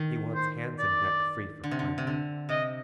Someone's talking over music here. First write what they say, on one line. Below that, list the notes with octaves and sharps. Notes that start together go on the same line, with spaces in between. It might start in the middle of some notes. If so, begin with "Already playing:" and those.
He wants hands and neck free for climbing.
Already playing: D#3
C5
D5
D3
C3
D3
C3
D3
C3 D#5